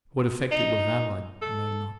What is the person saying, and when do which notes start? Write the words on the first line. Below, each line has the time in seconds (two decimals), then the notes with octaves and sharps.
What effect it will have, I know not.
0.51 D#4
1.42 A4